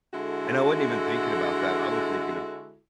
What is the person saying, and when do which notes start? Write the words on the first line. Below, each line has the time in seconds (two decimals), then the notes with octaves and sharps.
and I wasn't even thinking about that. I was thinking of
0.14 D3 G#3 E4 F#4 A4